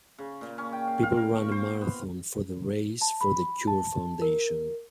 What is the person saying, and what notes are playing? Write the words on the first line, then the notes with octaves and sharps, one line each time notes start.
People run a marathon for the Race for the Cure foundation.
C#3
A#2
C#4
G5
F5
F5
A#4
C#6
C5
B3
A5
B5
A5
A#4